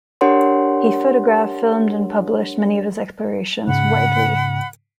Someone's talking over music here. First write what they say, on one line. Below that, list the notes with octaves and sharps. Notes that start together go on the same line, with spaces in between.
He photographed, filmed and published many of his explorations widely.
D4 G4 A#4 C#5 F#5 C6
G#2 C#3 F#5 B5 F#6